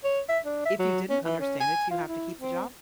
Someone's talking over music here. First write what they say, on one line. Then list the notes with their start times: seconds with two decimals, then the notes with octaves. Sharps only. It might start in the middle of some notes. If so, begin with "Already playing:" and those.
if you didn't understand it, do you have to keep the job?
0.04 C#5
0.29 E5
0.46 D4
0.66 E5
0.79 F#3
1.09 C#4
1.24 E3
1.40 C#4
1.60 G#5
1.91 F4
2.08 E4
2.40 C4